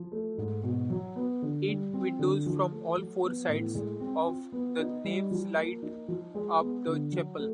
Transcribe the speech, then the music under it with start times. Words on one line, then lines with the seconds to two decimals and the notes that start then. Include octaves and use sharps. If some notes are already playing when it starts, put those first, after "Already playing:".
Eight windows from all four sides of the naves light up the chapel.
Already playing: F3
0.12 A3
0.38 G#2
0.64 B2
0.90 F#3
1.16 B3
1.42 D3
1.68 G3
1.93 C4
2.19 D3
2.46 F3
2.71 A3
2.97 F#3
3.24 B3
3.49 A2
3.75 G#3
4.00 C4
4.27 F4
4.52 B3
4.79 D#4
5.05 G3
5.31 F3
5.56 A#3
5.82 D#4
6.08 F3
6.34 G#3
6.60 B3
6.87 D3
7.12 F#3
7.38 A3